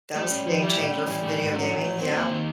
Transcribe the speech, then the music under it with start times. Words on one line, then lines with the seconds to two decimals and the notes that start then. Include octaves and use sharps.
That was the game changer for video gaming, yup.
0.16 G3 A3
0.31 C#4
0.47 F3
0.62 G3 E4
0.77 A3
0.93 C#4
1.07 E3 G3
1.23 A3
1.38 G#2
1.53 F#3 C#4
1.69 E3
1.84 A3
1.99 F#3 C4
2.15 A#3
2.30 D#3